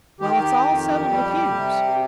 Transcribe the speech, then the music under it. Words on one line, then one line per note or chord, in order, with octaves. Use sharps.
"Well, it's all settled with Hughes."
D#3 G4
F2
G3
C3